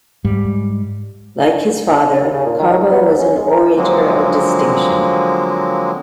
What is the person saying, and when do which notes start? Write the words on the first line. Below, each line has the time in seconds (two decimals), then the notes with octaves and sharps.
Like his father, Carbo was an orator of distinction.
0.25 G#2 G3
2.22 D#2
2.33 C#3
2.46 A#2
2.59 D#3
2.70 D#4
2.91 B3
3.06 D#2
3.18 C#4
3.37 G#3
3.50 A#4
3.77 D3 F3 F#3 G#3 A#3 C4